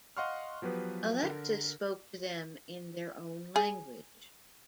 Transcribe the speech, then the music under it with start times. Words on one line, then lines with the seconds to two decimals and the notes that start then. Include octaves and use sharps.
Alexis spoke to them in their own language.
0.17 D#5 F5 F#5 C6 C#6 F6
0.62 F3 F#3 B3 G4 B4
1.22 D3 A#4
3.56 G#4